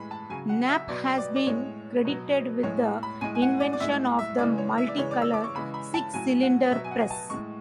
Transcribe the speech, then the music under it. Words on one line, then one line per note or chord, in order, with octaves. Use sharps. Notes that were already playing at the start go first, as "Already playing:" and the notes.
Knapp has been credited with the invention of the multicolor six-cylinder press.
Already playing: A2 E3 G#3 B5
A5
C#3 F#3 G#5
F#5
E5
B2 F#3 D5
D5
D5
A2 G#3 C#5
B2 F#3
A2 G#3 C#5
B5
A2 G#3 G#5
G#5
F#5
D5
D5
A2 G#3 E5
E5
C#3 E3 G#3 D5
C#5
E5
D5
C#3 E3 G#3 C#5
D5
E6
D6
C#6
C#3 E3 G#3 B5
B5
A5
A2 F#3 G#5
F#5
B2 F#3 E5
G#5
F#5
A5
A2 G#3 C#6